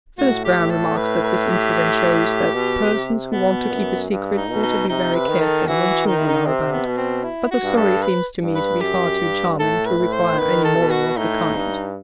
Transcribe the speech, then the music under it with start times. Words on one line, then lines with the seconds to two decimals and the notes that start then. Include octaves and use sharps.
Phyllis Browne remarks that this incident shows 'that persons who want to keep a secret ought to be very careful when children are about'; but the story seems to me to be far too charming to require any moral of the kind.
0.18 A2 F#4
0.45 G4
0.58 A2
0.70 A4
0.97 B4
1.24 B4
1.49 G4
2.54 B2
2.93 C3
3.32 B2 B3
3.72 F#2
4.11 G2
4.37 D#4
4.50 B2
4.63 D#4
4.89 C3 D#4
5.15 B4
5.28 D#3
5.41 A4
5.67 E3 F#4
6.07 D#3 D#4
6.18 E4
6.28 D#4
6.46 C3 C4
6.72 B3
6.85 B2
6.98 C4
7.24 E4
7.51 F#4
7.63 G2
7.77 A4
8.02 B4
8.43 G2
8.55 B4
8.81 F#2 G4
9.20 G2
9.60 A2 A4
9.86 B4
9.99 A2
10.12 C5
10.38 D#3 B4
10.65 A4
10.78 B2
10.91 F#4
11.17 A2 D#4
11.56 G2